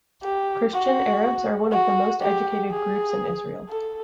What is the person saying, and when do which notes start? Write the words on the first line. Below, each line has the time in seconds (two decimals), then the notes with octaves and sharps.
Christian Arabs are one of the most educated groups in Israel.
0.23 G4
0.73 F#4
1.72 F#4
2.21 G4
2.71 G#4
3.69 A4